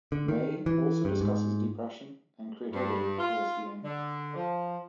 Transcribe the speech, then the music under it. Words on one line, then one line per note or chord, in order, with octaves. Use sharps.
May also discusses depression and creativity towards the end.
D3
D#3
E3
G2
G#2
G2
F4
D3
F3